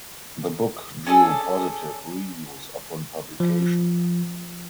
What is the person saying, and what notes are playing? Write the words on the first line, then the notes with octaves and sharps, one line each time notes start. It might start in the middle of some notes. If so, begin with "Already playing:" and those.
The book drew positive reviews upon publication.
C#4 D4 G#4 A4
F3